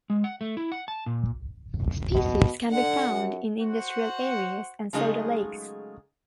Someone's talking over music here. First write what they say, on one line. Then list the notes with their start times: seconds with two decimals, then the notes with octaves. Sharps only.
Species can be found in industrial areas and soda lakes.
0.10 G#3
0.24 F#5
0.41 A3
0.57 E4
0.72 F#5
0.88 A5
1.06 A#2
2.15 B2
2.71 D3 F#5
3.09 F#2
3.61 F#4 C5 F#5
4.93 C#3 F#3 G#3 A3 D#4 G#4